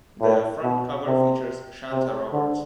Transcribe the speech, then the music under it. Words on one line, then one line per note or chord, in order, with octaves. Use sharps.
The front cover features Shantha Roberts.
A2
B2
C3
C3
D3